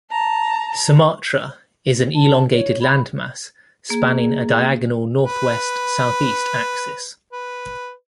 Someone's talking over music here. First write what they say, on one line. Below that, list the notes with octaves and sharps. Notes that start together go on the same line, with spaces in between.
Sumatra is an elongated landmass spanning a diagonal northwest-southeast axis.
A5 A#5
A5
C#5
B5
A#3 G#4
B4
B4